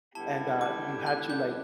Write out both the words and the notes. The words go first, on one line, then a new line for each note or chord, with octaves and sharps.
and, uh, you had to, like,
D3 G3 B3 E4 G4 A5
D6
F#6
G6